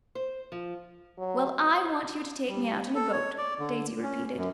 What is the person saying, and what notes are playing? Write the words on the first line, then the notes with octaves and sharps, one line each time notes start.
"Well, I want you to take me out in a boat!" Daisy repeated.
C5
F3
F#3
G3
A4
C#5
D5
D3
C#4
F#2